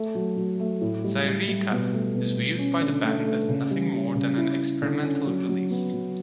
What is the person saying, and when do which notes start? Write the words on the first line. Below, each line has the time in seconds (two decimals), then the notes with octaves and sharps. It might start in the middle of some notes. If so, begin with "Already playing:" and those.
"Zaireeka" is viewed by the band as nothing more than an experimental release.
Already playing: A3
0.15 F#3
0.37 F#3
0.59 A3
0.81 A2
1.04 G3
1.26 G3
1.48 G3
1.71 B2
1.93 A3
2.15 B2
2.37 B2
2.59 C#4
2.81 D3
3.04 A3
3.26 A3
3.49 C#3
3.71 G3
3.93 G3
4.15 C#3
4.37 E4
4.59 E4
4.82 D3
5.03 C#4
5.26 F#3
5.49 F#3
5.70 B3
5.93 F#3